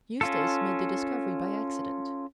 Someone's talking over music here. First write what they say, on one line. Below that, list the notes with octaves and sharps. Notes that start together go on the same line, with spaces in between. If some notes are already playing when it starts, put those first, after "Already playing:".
Eustace made the discovery by accident.
C#4 F4 A4